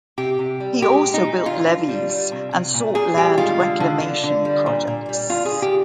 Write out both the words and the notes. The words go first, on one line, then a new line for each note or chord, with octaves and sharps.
He also built levees and sought land reclamation projects.
C3 G4
C3
G3
G#3 G4
A#2
D#4
A#2
D3 F4
D3
G3
G3
C3
C3
A#2
A#2 G#4
G3 G4
G#3 F4
D3
D3
D3
D3
G3
A#2
A#2
G3
D3 F4
G#4
D3
G4